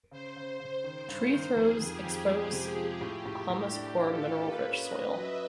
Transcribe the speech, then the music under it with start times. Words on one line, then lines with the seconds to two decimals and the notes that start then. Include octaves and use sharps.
Tree throws expose humus-poor, mineral-rich soil.
0.11 C#3 C5
0.36 C#3
0.48 C5
0.60 C#3
0.84 D#3 C5
1.08 G2
1.33 D#3
1.56 F2 G#4
1.81 F2
1.92 G4
2.04 F2
2.29 G#3
2.52 C3
2.76 F3
3.01 A2
3.26 A2
3.49 A2
3.73 D4
3.97 F4
4.09 A4
4.22 F4
4.46 A#3 B4
4.70 C#4
4.82 D#5
4.93 C#4
5.18 F#3 E5